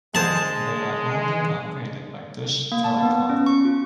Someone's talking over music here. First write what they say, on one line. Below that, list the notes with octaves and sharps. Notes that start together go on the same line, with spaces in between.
They are owned and operated by Deutsche Telekom.
D3 G#3 G#4 C5 A5
A#3
A5
B3
C#4
C#6
F4